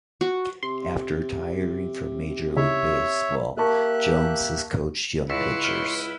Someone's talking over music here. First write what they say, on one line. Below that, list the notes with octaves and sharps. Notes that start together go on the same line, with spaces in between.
After retiring from Major League Baseball, Jones has coached young pitchers.
F#4
C3 C6
C#3 D#4 E4 C#5 E5
A#3 G4 A#4 E5 A5 C#6 F#6
C#2 E4 B4 C6 C#6 E6 B6 E7
F6 F#7 G7